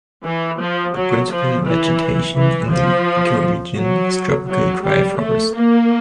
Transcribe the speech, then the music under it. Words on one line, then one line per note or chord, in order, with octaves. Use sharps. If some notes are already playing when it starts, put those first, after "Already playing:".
The principal vegetation in the ecoregion is tropical dry forest.
E3
F3
F#3
F3
E3
E3
F3
F#3
F#3
G3
A3
A#3